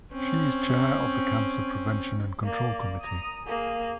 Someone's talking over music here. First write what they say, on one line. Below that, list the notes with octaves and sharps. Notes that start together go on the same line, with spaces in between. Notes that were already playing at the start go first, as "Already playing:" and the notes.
She is Chair of the Cancer Prevention and Control Committee.
C4 C#4
A#3 D5
A#5 D#6
A#3 G#4